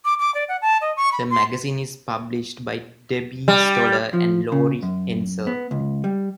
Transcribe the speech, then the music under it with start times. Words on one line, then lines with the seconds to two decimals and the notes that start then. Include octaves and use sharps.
The magazine is published by Debbie Stoller and Laurie Henzel.
0.05 D6
0.19 D6
0.35 D5
0.49 F#5
0.62 A5
0.81 D#5
0.97 C#6
1.12 B5
1.30 C6
3.48 G3
4.13 F3
4.52 C#3
4.83 F#2
5.47 B3
5.71 C#2
6.04 G3